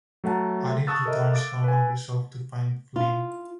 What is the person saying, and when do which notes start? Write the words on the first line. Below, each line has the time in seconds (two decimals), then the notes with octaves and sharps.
Ary returns home and resolves to find Flynn.
0.24 F#3 A3 F#5 A5 A#5
0.87 A5 C#6 D#6 E6 F#6 A6
1.05 A4 A#4 D#5 E5
1.32 F5 D6 A6 D7
1.64 B4 G#5
2.96 F4